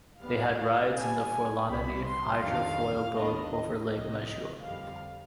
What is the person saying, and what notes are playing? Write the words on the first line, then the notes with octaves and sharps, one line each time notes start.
They had rides in the Forlanini hydrofoil boat over Lake Maggiore.
D2 D3 G3 B3 F5
B2 G3 D4 G#5
C2 C3 G3 B3 B5
C6
F2 D#3 G3 D4 F5
D#2 D#3 B3 D4 D#5
D#5
C2 C3 F3 D#5
F2 D3 G3 F5